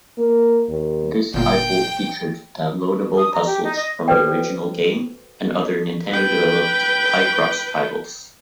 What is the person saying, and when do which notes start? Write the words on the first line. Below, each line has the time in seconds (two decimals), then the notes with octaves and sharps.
This title featured downloadable puzzles from the original game and other Nintendo-developed "Picross" titles.
0.18 A#3
0.69 D#2
1.34 G1 A#2 A#3 G5
3.17 D#6
3.33 A#5
3.46 G4
3.63 D#4
3.75 D#5
4.08 F#4 A4 B4 C5 D5 G5
6.10 B4 G5